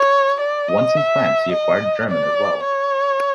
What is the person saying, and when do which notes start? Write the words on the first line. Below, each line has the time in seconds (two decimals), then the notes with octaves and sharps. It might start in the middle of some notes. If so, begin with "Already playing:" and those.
Once in France he acquired German as well.
Already playing: C#5
0.40 D5
0.68 D#5
0.96 E5
1.52 D#5
2.09 D5
2.65 C#5